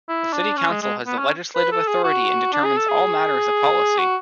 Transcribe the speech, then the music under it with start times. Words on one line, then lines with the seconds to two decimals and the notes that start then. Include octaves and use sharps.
The City Council has the legislative authority and determines all matters of policy.
0.08 E4
0.33 D4
0.57 C#4
0.70 G#3
0.82 G#3
1.06 B3
1.18 C#4
1.55 B4
1.71 A4
1.88 G#4
2.04 F#4
2.53 D4
2.64 G#4
2.77 A4
2.89 G#4
3.99 F#4